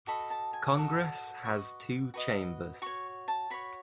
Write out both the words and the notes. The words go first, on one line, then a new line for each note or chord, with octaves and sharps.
Congress has two chambers.
F#4 A4 D#5 B5
A5
G#5
F#4 A4 D#5 F#5
F#4 B4 D#5 C#6
F#4 B4 D#5
F#4 C#5 C#6
A5
F#4 C#5 B5